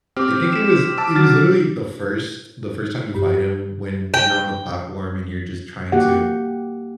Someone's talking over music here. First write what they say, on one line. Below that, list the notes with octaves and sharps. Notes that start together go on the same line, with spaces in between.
I think it was it was literally the first the first time you fight him, when you're on the platform and you're just trying to
C4 G4 D6 F6
B6 E7
A5 D6 E6 B6
F#3 F6 A6
G2 G4
G5
A#3 G4 F#5